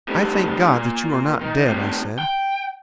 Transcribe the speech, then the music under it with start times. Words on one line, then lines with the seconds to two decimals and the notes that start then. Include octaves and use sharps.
"I thank God that you are not dead," I said.
0.08 A2 G3
0.72 A#2
1.41 D#3
1.67 A2 C3
2.19 G5